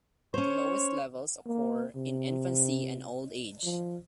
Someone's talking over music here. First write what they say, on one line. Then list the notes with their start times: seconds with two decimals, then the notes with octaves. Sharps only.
The lowest levels occur in infancy and old age.
0.34 C#4 C5 C#5
1.47 A#3
1.95 C3
3.63 F3